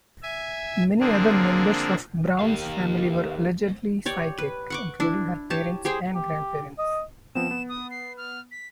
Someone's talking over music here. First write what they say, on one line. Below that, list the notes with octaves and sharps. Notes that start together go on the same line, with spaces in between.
Many other members of Brown's family were allegedly psychic, including her parents and grandparents.
E5 G#5
D3 F3 A#3 C4 D4 G#4
A#3 D#4 G4 A#4 D#5 F5
G4 C#5 D5
B4
F#5 C#6 D6
D4 E4
G4 C#5 A5
G4 G#4 C5 G5
G4
D#5
F3 B3 C4 E7
B3
D#6
C7
F6
B6